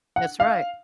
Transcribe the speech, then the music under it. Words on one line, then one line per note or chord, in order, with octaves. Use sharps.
That's right.
F#5
F5